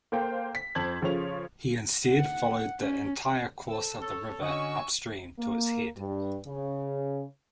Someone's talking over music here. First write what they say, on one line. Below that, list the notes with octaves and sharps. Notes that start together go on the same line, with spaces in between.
He instead followed the entire course of the river upstream to its head.
A#3 A4 C5 F5 G5
B6
F2 C5 A5 G#6 F#7
C#3 F3 A4 C#5 F7
F#5
C#4
A4 C5 E6
A4 C#5
D3 C#4 F#4 D#5 G#5 C#6 E6
A#3
G2
C#3